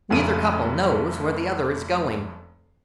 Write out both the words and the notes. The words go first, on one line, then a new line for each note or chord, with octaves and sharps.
Neither couple knows where the other is going.
F1 F2 A2 C#3 D#7